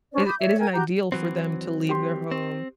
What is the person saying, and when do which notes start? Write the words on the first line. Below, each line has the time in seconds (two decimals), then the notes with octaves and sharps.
It it isn't ideal for them to leave their home
0.12 C#4 D4 C5 D5
0.27 B5 D6 D#6 G6
0.39 C#5 D5 E5
0.59 A#4 G5 G#5 G#6
0.73 F#4 G4 A#5 G6
1.12 E3 F#3 C4
1.89 G4 C6
2.31 C4